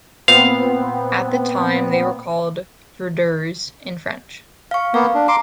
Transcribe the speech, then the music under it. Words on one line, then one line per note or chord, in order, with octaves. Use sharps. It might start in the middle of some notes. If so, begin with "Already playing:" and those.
At the time they were called "verdures" in French.
A#2 B3 C4 F5
F5 C#6
A#3 B3 F5
D4
A#5 C6 D6